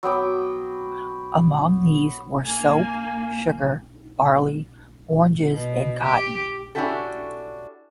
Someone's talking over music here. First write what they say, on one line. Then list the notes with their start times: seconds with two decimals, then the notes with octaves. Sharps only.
Among these were soap, sugar, barley, oranges, and cotton.
0.03 F#3 B3 G5 D6
2.45 A#3 G#5
5.53 B2
6.03 G4
6.75 C#4 D4 E4 F#4 G4 A4